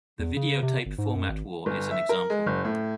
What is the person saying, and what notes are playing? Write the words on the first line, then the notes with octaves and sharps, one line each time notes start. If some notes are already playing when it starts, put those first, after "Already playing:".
The videotape format war is an example.
E2
C#3
C3
G1
G#2
F#2
G#1
G1
E5
A#4
G#3
F#1
A2